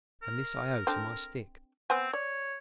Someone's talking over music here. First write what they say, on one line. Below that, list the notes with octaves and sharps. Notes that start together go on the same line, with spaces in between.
And this I owe to my stick.
A#4
C4 D4 A4
B3 C4 C5 G#5
C#5 D5